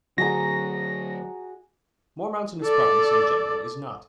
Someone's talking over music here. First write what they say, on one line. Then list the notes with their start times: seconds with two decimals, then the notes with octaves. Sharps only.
More mountainous province in general is not.
0.18 D3 F#3 F#4 G#4 A#5 A#6
2.64 A4 D5